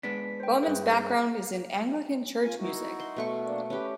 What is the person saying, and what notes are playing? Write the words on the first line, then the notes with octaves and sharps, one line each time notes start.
Bowman's background is in Anglican church music.
G#3 B3 D4 B6
C5 G5
G2 E4 G#4 B4
A2 F4 G#5
D#4 E4 F#4
C6
B2 A3 C#6
A#3 D4
C#4 G4 B4